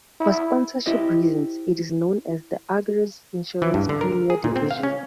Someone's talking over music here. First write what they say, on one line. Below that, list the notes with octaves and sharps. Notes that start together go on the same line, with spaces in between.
For sponsorship reasons it is known as the Argus Insurance Premier Division.
E4
E4 G4 C5 D#5
E3
G2
D3
A#4
G#4
A#2
C4
F5
C#4